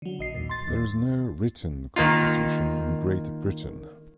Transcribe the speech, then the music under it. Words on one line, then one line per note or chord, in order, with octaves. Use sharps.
There is no written constitution in Great Britain.
D3 F#3
A#1 D#5 C7
D#2 A#2
C6 A6
D#2
D#3 A#3 D#4 F4